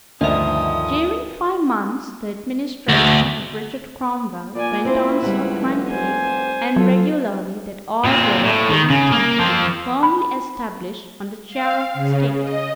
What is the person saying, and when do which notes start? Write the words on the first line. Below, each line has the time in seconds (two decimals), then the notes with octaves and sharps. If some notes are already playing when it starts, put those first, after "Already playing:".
During five months, the administration of Richard Cromwell went on so tranquilly and regularly that all Europe believed him to be firmly established on the chair of state.
0.21 D2 G2 D#3 F3 D#5 E5 D#6
2.89 D2
4.55 A#2 D5 G#5
4.85 C4 E4 C5
5.23 C#2 G3 B3
5.61 F1
5.90 C5 G#5
6.76 F#3 F4 A4
8.05 A#2 C4
8.44 A2
8.69 D#3
8.90 C#3
9.12 A#3
9.40 F3 C4
10.03 B5
11.48 F5
11.94 C#3
12.42 D#5